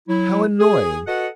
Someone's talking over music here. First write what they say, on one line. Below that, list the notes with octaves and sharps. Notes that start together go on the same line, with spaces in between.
'How annoying!
F#3 E4
G#4
F#4 A4 B4 D#5 F#5